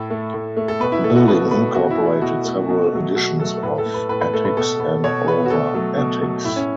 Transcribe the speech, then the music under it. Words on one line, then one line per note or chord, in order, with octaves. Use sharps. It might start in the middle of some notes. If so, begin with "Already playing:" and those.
The building incorporated several additions of attics and over attics.
Already playing: A2 A4
A3
A2
A3
A4
B2 B4
E4
A3 A4
F#4
B2 B4
A3 B4
B2 F#4
E4
A3
E4
B2 F#4
A3
B2
F#3 A3
B2 F#4
F#3 A3 A4
A2 B4
A4
A3
B4
A2 B4
B4
A3 A4
B4
B2 A4
B3
B2 C#5
B3 B4
F#4
B2 A4
F#3 A3
B2
F#3 A3
A2 E4
C#4